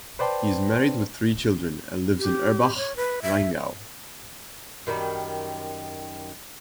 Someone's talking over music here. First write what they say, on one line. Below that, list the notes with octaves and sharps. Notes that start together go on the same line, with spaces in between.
He is married with three children and lives in Erbach, Rheingau.
B4 C5 D5 G5 A5 C6
G4
C#5
B4
E5
F#2 D#3 G3